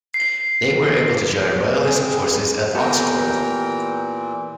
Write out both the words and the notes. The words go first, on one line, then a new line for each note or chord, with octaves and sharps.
They were able to join Royalist forces at Oxford.
C7
C4 G#4
A#2 E3 B3 G4 A4 A#4 G5